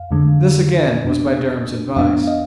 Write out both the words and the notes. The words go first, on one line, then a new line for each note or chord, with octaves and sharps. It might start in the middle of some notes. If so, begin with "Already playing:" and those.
This again was by Durham's advice.
Already playing: F2 F5
F2 D3 G#3
F2 F3 B3 D4
F2 F3 B3 D4 F5
D#5